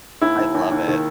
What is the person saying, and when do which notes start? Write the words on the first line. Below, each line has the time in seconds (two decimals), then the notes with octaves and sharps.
I love it.
0.21 D#2 E4
0.38 D#2
0.54 D#2
0.71 D#2
0.88 D#3